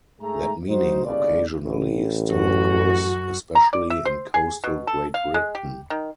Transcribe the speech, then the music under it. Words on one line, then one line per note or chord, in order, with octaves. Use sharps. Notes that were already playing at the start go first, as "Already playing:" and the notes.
That meaning occasionally still occurs, especially in coastal Great Britain.
G#2 A3 G#4 A#5
F#3 D#4 F#4 C5
G1 C2 C#3 G3 G#3 D5
A1
F#2 F#4
A#5
D5
E5
C5
G#4
B2
A4
F5
G#3
G4
D#3